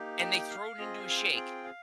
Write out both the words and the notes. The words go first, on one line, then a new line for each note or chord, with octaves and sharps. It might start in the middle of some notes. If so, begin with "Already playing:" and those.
and they throw it into a shake.
Already playing: A#3 D#4 G4
G5
F5
C4 F4 G#4 D#5
F5
G#5
G5
G5
F5